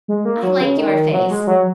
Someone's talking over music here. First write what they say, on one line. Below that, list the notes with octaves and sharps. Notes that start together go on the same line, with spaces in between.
I like your face.
G#3
A#3
F#3
C#3
D#3
F#3
G#3
F#3